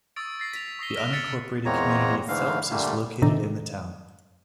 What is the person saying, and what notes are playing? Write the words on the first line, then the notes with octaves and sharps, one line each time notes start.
The unincorporated community of Phelps is located in the town.
C#6 D#6 E6 A6 D7
A6 A#6 C7
B6 F7
C#6 D#6 A#6 C7 G7
F6 A#6 D7 E7 F7 G7
E6 F#6 A6 B6 C#7 D7
E2 G#3 A#3 C4 C#5 A#5
G#2 D3 E3 A3 F5
A#2 D3 G3 A3 A#3
A2 C3 D#3 D4